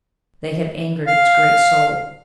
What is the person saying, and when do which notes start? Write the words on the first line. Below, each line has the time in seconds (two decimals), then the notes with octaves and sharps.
They had angered its great soul.
1.07 F5